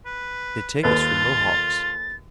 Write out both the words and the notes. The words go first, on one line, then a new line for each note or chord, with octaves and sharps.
They take us for Mohawks.
B4
D#2 F4 A4 B4 A6